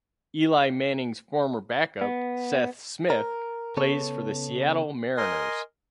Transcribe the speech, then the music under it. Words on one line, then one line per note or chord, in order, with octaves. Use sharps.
Eli Manning's former backup, Seth Smith, plays for the Seattle Mariners.
B3
A#4
C#3 B3 A4 C#5
A#4 D#5 G#5 C6